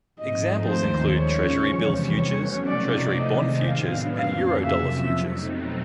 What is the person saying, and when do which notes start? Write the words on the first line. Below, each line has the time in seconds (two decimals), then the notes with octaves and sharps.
Examples include Treasury-bill futures, Treasury-bond futures and Eurodollar futures.
0.19 G#2 F3 A3 C4 D#4 D#5
0.68 D#2 D#3 G#3 C5
1.18 C#3 F3 G#3 C#4 C#5
1.67 E2 C3 E3 G3 C4
2.17 B2 F#3 A3 C#4 F#4 C#5
2.67 C3 F3 A3 C4 D#4 D5
3.16 C3 D#3 G#3 C4 D#5
3.66 A2 F#3 B3 D4 F5
4.15 F2 C#3 F#3 A#3 C#4 F5
4.65 F2 C3 F3 E5
5.15 B2 F#3 A3 C4 D#4